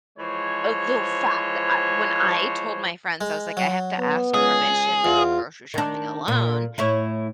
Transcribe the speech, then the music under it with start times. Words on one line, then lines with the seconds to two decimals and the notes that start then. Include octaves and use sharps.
uh, the fact that I when I told my friends, I was like, "I have to ask permission to go grocery shopping alone."
0.19 E3 F3 G#3 C5 C#5
3.21 G#3
3.57 F#3
3.99 B3
4.34 C#2 G#4
5.05 E2 F4
5.74 D#3 D4
6.28 A#2
6.78 A2 E4 C#5